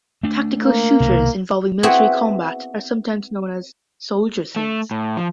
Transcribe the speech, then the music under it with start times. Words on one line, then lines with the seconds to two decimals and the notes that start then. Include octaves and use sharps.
Tactical shooters involving military combat are sometimes known as "soldier sims".
0.23 A3 D4
0.64 A#3
1.00 C2 B2 D#3
1.83 B3 C4 E4 F#4 G#4 B4
4.56 A3
4.91 A2
5.17 F3